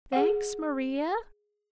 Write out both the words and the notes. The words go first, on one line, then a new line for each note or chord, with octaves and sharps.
"Thanks, Maria."
G#4 F#5